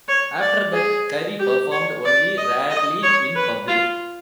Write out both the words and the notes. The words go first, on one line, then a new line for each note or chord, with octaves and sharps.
After that, Curry performed only rarely in public.
C#5
D5
G#4
G4
C#5
D5
D#5
D#5
C#5
B4
F4